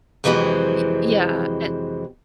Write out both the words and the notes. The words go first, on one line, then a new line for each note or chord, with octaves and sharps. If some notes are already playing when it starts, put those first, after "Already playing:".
It yeah, and
F2 C3 E3 F#3 G#3 C4